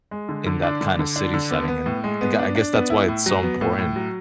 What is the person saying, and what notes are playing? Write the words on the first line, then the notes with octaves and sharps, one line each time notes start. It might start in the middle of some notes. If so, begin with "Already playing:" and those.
in that kinda city setting, and I g I guess that's why it's so important
G#3
D3
D3
D4
D3
D3
D4
D3
B3
B3
A2
G#3
B3
D4
D4
B3
E4
A2
F#3
B3
A2
A2
F#3